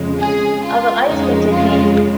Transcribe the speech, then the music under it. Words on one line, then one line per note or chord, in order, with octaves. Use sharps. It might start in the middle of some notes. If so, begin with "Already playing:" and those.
Our eyes met again.
Already playing: F2 C#3 G#3
G#4
F4
F2 C#3 G#3 D#4
F4